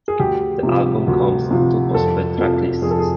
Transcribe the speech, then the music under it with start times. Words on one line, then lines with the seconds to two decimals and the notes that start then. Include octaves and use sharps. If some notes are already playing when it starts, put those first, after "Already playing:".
The album comes in two possible track lists.
0.08 G#4
0.20 D2 G4
0.63 C3 F3
1.08 D2
1.51 C3 F3
1.94 F2 A4
2.38 C3 F3 A4
2.82 F2 G#4
2.91 A4
2.99 G#4